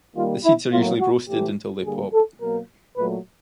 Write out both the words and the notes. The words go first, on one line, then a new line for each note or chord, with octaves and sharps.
The seeds are usually roasted until they pop.
D#3 G3 A#3 F4
E4
A2 F#3 A#3 F4
F#4
A2 E3 A3 G4
D3 G3 A#3 G#4
A4
B2 F#3 A#3 A#4
A#2 F#3 A3 B4